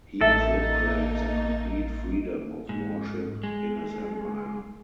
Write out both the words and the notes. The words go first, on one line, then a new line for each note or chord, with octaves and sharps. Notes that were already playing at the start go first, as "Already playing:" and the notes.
He proclaims a complete freedom of worship in his empire.
A1 A#3 D#4 A4 E5
G#2
G#3